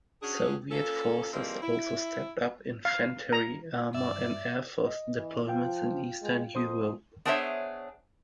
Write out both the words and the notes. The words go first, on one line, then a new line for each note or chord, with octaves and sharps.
Soviet forces also stepped up infantry, armor and air force deployments in Eastern Europe.
C#4 D4 F#4 G#4
A#3 C#4 F4 A4
E3 F3 G3 G#3 A#3 C4
E4
F5
A#5
G2 D5 E5
D#5
E3
F3 F4 F5 G5
G#3
F2 C5 C6 D#6
B3 D4 G#4 C5 C#5 E5